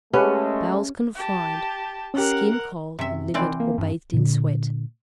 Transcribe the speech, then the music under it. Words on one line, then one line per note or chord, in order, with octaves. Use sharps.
Bowels confined, skin cold and livid or bathed in sweat.
G#3 A3 C#4 G4 B4 F#5
G4 A5
C#4 G4 A#4 F#5
F#2 C3 E5
D#3 E3 C4 D5
A#3
G2
A#2 D3